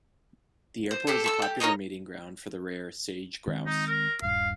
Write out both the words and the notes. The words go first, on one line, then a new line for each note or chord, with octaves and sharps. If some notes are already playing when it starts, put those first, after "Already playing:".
The airport is a popular mating ground for the rare Sage Grouse.
C5
G4 A4 C5
A4 C#6 E6
G4
D#4 A#4 C#5 D#5
D#3 G#3 C4
D#4
A#4
D#1 G2 F5